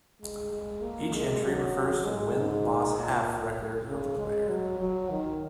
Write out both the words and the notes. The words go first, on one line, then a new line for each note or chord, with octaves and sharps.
Each entry refers to the Win-Loss-Half record of the player.
G#3
G#3
A#3
G#3
F#3
G#3
G#2
A#2
C#3
G#3
F#3
F#3
D#3